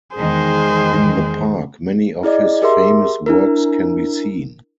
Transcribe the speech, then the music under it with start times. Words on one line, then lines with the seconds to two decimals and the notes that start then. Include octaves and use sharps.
In the park many of his famous works can be seen.
0.17 E2 D#3 G#3 G#4 C5
2.23 E4 G#4 D5 D#5
2.62 G4 G#4 A#4 E5 C6
3.26 D4 E4 A#4